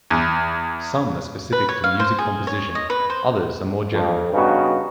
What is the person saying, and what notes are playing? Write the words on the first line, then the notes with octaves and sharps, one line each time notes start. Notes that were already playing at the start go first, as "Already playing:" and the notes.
Some are specific to music composition; others are more general.
E2
B4
C#5
F5
C5
G#4
C#5
D#5
B4
C5
F2
G2 C#3 B3 D#4 F#4